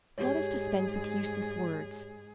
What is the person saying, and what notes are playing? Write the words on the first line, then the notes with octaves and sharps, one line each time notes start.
Let us dispense with useless words.
G#2 G4 G#4 C#5